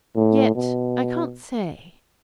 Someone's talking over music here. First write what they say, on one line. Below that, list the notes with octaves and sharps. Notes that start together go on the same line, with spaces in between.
Yet, I can't say.
A2
B2